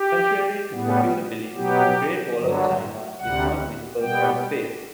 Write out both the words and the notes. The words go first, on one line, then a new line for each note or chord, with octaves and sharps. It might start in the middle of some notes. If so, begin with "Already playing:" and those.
Contrary to popular belief, the Great Wall of China is not visible from space.
Already playing: G4
A2 G3 B3
B2 F#3 B3 G4
G2 D3 F#3
D2 C3 G3 F#5
B2 G3 B3 G5